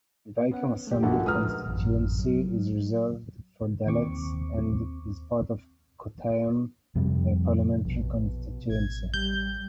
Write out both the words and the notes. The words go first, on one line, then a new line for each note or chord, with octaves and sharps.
Vaikom assembly constituency is reserved for Dalits and is part of Kottayam parliamentary constituency.
B3 C#4 F#5
A3 G4
A#1 F#4 A4 A#4 F#5
G#3 B4 A#5 D#6 F6
A1 F#2
F#3
D#2 C4 C#6 D6
F2 C3 G3
A#1 B2
A1 G#6
G3 G6